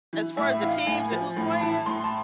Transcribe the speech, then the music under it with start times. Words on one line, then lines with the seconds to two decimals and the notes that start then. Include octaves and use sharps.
a as far as the teams and who's playing,
0.13 E3
0.37 A2 E5
0.62 E3 F5
0.87 A2 G#5
1.12 F3
1.37 A2
1.61 E3 A5
1.86 A2 C6
2.04 A5